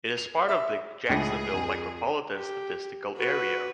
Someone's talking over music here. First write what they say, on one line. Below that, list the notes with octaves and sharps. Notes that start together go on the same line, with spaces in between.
It is part of the Jacksonville Micropolitan Statistical Area.
F7
E5
C#2 A2 D4 G#4
F2
G4
F#4 B4